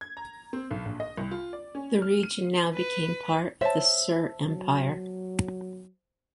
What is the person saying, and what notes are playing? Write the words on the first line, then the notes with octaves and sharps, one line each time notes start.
The region now became part of the Sur Empire.
G#6
A#5
C4
B1
A#1
D#5
C2
F4
D5
C#4
F6
D#7
B4
C5 C#5 E5 A5
F#3